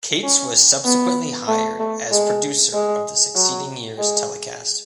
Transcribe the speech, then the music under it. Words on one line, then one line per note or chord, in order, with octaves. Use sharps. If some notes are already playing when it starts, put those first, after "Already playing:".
Cates was subsequently hired as producer of the succeeding year's telecast.
C#4
B3
A3
A3
G#3
G#3
F#3
G#3